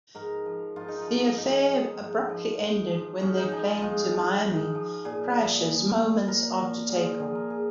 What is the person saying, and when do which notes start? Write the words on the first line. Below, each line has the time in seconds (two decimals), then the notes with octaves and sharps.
The affair abruptly ended when their plane to Miami crashes moments after take off.
0.15 G#2 A#4
0.46 F3
0.76 G#2 F4
0.88 D#4
1.01 F4
1.07 F3
1.37 G#2 D#4
1.68 F3
1.99 G#2
2.29 F3
2.60 G#2
2.90 F3
3.21 G#2 C#4
3.37 D#4
3.52 F3 G#4
3.67 F4
3.82 G#2 F4
4.13 F3
4.44 G#2
4.75 F3
5.05 A#2 G#4
5.36 F3
5.66 A#2
5.97 F3
6.28 A#2 A#4
6.58 F3
6.89 A#2 G#4
7.04 F4
7.19 F3 G#4
7.35 A#4
7.50 G#4